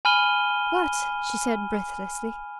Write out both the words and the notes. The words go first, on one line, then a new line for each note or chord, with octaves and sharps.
"What?" she said breathlessly.
G#5 B5 F6 D#7 G7